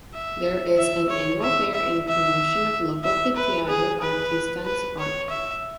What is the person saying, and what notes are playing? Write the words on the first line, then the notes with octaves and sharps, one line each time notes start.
There is an annual fair in promotion of local piteado artisan's art.
E5
E5
C#5
E5
E5
E5
E5
B4
G#4
B4
B4
C#5
E5